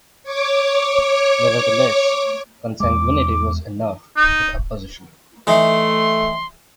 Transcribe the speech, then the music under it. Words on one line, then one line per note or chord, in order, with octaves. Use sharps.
Nevertheless, consanguinity was enough for the opposition.
C#5 D6
E2 G#3 D6
D#4
E3 A3 D#4 C6